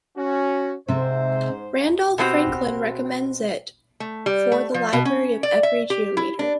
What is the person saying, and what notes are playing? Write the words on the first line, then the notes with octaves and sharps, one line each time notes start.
Randolph Franklin recommends it "for the library of every geometer".
C#4 F#4
G#2 C3 C4 C5 E5
B2 A3 C4 F#4 G4
A3
G3
A3
F3
B2
C#4
D5
E5
G4
E4
D4